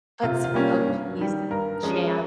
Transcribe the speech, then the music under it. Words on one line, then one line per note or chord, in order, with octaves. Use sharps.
Put some goat cheese and jam.
C3 F4
F4
G3 A#3 C#4
G2
D#3 G3
G2 A#4
F3 G#3 C#4